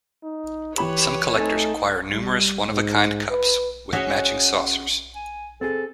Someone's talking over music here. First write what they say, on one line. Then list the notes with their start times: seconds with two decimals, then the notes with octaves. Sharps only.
Some collectors acquire numerous one-of-a-kind cups with matching saucers.
0.23 D#4
0.76 E3 G4 B4 C#5 B5 E7
1.36 A3 C4 D#4 A4 G#5
2.10 G3
2.71 G#2
3.31 B4
3.93 C#4 F#4 G#4 C#5 D#5 E5
5.15 G#5
5.61 C4 G#4 A4